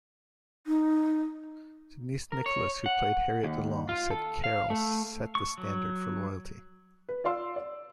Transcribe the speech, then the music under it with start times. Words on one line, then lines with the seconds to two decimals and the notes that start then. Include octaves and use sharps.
Denise Nicholas who played Harriet Delong said Carroll set the standard for loyalty.
0.67 D#4
2.32 A#4
2.46 C#5
2.86 F#5
3.43 D#2
3.89 F4
4.11 A4
4.44 F5
4.70 A3
5.35 C#6
5.58 F#3
7.09 B4
7.24 F4 D5 F5 C6 E6
7.56 D5